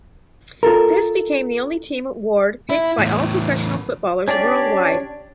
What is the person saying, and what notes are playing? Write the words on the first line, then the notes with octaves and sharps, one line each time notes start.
This became the only team award picked by all professional footballers worldwide.
F4 A4 A#4
E4
E2 A2
C#4 D4 G4 D5